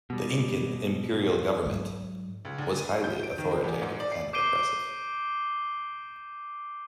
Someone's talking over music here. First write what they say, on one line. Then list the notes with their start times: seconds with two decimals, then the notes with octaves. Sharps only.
The Incan imperial government was highly authoritative and repressive.
0.10 B2 G3
1.65 G#2 F#3
2.45 C#2
2.58 D2
2.78 D#7
3.04 G6
3.23 D7
3.38 D#3
3.51 C4
3.64 E2
3.82 G#2
4.00 D5
4.12 C7
4.33 D6 G6 C7 D7 D#7 G7